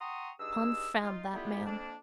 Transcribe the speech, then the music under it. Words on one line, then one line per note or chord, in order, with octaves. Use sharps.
"Confound that man!"
F#5 G5 A#5 C6 C#6 D#6
G2 D#4 G#4 E6
D#4 F4
G3 A3 B3 E4 F4 G4
F2 A#3 D4